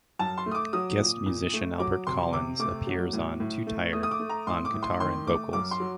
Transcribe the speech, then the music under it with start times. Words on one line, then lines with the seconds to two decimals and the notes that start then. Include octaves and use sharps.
Guest musician Albert Collins appears on "Too Tired" on guitar and vocals.
0.19 F#2 A5
0.38 C6
0.46 A3
0.51 D#6
0.55 D6
0.73 F#3 D#6
1.00 A#2
1.26 A#2
1.53 A3
1.80 F#3 D6
2.07 C3 C6
2.33 C3 D6
2.59 A3 D6
2.87 F#3
3.13 A2
3.40 A2
3.67 A3
3.93 A3 D#6
4.03 D#6
4.11 D6
4.20 A3
4.30 A#5
4.47 A2 C6
4.65 D6
4.74 A2
4.83 C6
5.00 D#3 C6
5.27 A3 D6
5.53 F#2 D6
5.71 C6
5.80 F#3